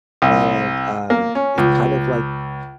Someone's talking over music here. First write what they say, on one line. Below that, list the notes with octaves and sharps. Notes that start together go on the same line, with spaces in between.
and, um, it's kind of like
C2
A#3
C#4
C#2